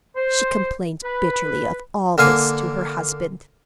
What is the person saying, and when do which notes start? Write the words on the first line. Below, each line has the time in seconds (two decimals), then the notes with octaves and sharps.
She complained bitterly of all this to her husband.
0.17 C5
1.04 B4
2.18 D3 A#3 F5 G#5